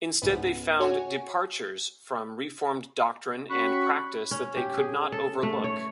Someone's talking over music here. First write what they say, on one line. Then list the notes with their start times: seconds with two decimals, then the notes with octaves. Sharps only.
Instead they found departures from Reformed doctrine and practice that they could not overlook.
0.22 C#2 G#2 B3
0.80 F#4 C#5 G#5
3.50 C#4 F#4 G4 B5 C#6 F#6
4.31 C#4
4.57 G4
4.77 G#4
5.12 A4
5.43 A3
5.64 C#5